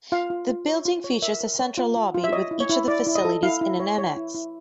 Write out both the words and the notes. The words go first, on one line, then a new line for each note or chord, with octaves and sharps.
The building features a central lobby with each of the facilities in an annex.
F4 F5
F4
F4
C#5
F4
C#5
A#4 E5
A#4
C#5
F4
F4
F4
E5
C#5 D#5
E4
C#5
E4
E4 D5
E4
D#5
A4
E4 F5
E4
C#5
C#5
E4
E4